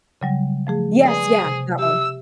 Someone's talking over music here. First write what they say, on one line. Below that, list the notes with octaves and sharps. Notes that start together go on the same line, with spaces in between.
Yes, yeah, that one.
C#3 F#3 G3
F3 A3 G#4
G#4 B4 D5
C3
G4 E5 E6